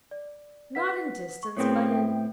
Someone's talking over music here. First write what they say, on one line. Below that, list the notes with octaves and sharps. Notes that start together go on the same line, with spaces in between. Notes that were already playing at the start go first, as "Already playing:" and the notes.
'Not in distance, but in--.
D5
B4 F#5 B6
C#6
A2 B3 C4 G#4 A#4 C#5
E5 G5